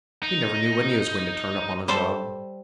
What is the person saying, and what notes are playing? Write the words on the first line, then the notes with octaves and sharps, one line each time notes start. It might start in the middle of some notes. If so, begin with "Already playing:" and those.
We never knew when he was going to turn up on a job.
D#4
G3 A4 C5